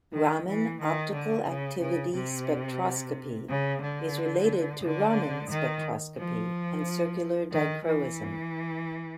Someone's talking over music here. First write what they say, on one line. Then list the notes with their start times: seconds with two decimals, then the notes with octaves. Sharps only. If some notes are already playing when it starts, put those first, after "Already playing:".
Raman optical activity spectroscopy is related to Raman spectroscopy and circular dichroism.
0.13 D#3
0.47 E3
0.81 D#3
1.13 D3
1.48 C#3
1.80 C#3
2.14 C3
3.49 C#3
3.82 D3
4.83 D3
5.50 D#3
6.18 F3
7.52 D#3
7.86 E3